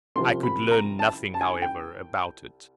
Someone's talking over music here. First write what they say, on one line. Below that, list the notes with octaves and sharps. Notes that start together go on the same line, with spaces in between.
I could learn nothing, however, about it.
C2 C3 F3 C6
B5
A#5
A5
A5
G#5
G5